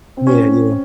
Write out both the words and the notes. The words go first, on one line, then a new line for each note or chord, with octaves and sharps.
Yeah, yeah.
C4
C#4